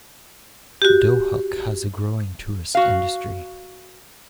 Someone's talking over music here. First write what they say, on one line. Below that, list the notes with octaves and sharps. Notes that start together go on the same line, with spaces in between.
Dohuk has a growing tourist industry.
F#4 G4
F#4 F5